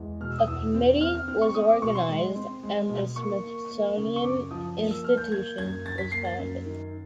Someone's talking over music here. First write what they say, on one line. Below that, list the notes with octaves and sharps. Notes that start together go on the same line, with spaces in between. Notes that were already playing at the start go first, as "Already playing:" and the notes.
A committee was organised and the Smithsonian Institution was founded.
Already playing: E2 G#3
B2 F6
E6
D#6
E2 E6
C4
C4 F6
F6
C4 F6
C#6
C4 D#6
D6
B2 C#6
C6
G#3
C4
G#3
B2
A#3 C#6
A#3
A#3
C#3
C#6
F#2 D6
F3 D#6
A#3
E6
A#3 F6
G6
A#3 G#6
F#2 G#6
F#2 A6
B6
A#3 C7
A6
F#2
D#3